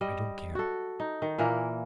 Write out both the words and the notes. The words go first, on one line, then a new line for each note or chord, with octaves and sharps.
I don't care.
G3 D#5
F#4 A4
D#4
D#3
A#2 E3 A#3 A#4